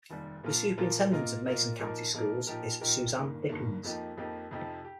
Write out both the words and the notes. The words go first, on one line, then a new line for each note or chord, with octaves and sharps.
The superintendent of Mason County schools is Suzanne Dickens.
F1 D#2 D#3 G3
A#2 F3 A#3 F4 A#4
A#2 F3 A#3 F4 A#4
A#2 A#3 F4 A#4 D#5
A#2 A#3 F4 A#4 D#5
A#2 F3 A#3 D#4 A#4
A#2 F3 A#3 D#4 A#4
A#2 F3 D#4 G4 A#4
A#2 F3 D#4 G4 A#4
G1 G2 D#3 A#3
G1 G2 D#3 A#3
F2 F3 A#3 D#4 G4
F2 F3 A#3 D#4 G4
F2 C3 F3 D#4 G4
G4